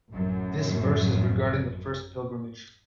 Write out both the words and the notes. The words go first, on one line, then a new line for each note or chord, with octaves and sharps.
This verse is regarding The first pilgrimage.
A1 F#2